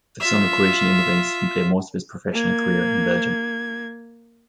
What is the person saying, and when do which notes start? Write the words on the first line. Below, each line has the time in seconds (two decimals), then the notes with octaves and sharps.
The son of Croatian immigrants, he played most of his professional career in Belgium.
0.20 F4 E5
2.33 A#3 G#6